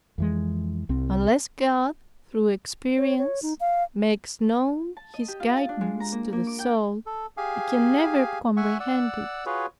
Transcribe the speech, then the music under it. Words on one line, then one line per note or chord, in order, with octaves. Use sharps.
Unless God through experience, makes known His guidance to the soul, it can never comprehend it.
F2 E3 G#3
C2 C4
C#5
C#5
D#4
F5
A5
D#5
G4
F4
A5
D4
G#3
A#5
A#3
A#3
D6
G5
A4
G4 G#4 F5 G#5
E5 F#5 G#5 C#6
D5 F#5 E6
F4 F#4 G#4 B4 C#5